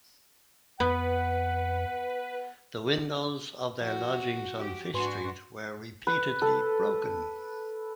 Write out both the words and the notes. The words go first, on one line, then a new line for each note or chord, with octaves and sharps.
The windows of their lodgings on Fish Street were repeatedly broken.
F2 B3 B4 F#5
F3 F#4
G4
G#2 D4 F#4 B4 G#5 C6
B4
A4